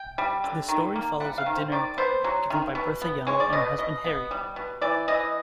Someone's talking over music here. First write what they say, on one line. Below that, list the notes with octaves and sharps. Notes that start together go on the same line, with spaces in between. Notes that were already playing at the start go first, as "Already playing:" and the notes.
The story follows a dinner party given by Bertha Young and her husband Harry.
Already playing: G5
G3
D3
D#3
A#3
G3 F#5
F5
D#3
C5
D#3 D5
B3 C5
F#3
D#3
B2
B3
G#3 C#5
D5
B2 D#5
B2 D#5
B3
G3
B2
E3 D5
E3 D#5